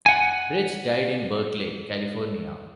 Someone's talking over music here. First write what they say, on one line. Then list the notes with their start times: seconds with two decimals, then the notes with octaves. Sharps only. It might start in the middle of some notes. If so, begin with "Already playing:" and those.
Birge died in Berkeley, California.
0.06 F#5 G#5